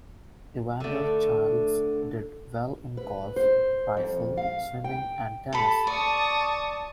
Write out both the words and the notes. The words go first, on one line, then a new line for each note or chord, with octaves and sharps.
Evander Childs did well in golf, rifle, swimming, and tennis.
D3 A3
B4
C5
F2
F5
G5
A4 A5 B5
D5 A5 C#6 D#6